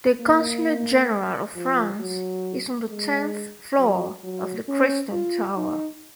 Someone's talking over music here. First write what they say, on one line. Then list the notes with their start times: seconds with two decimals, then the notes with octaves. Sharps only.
The Consulate-General of France is on the tenth floor of the Crystal Tower.
0.21 A#3
1.55 F3
2.00 F#3
2.90 G#3
3.78 F#3
4.24 F#3
4.68 C#4
5.13 F4
5.57 D#4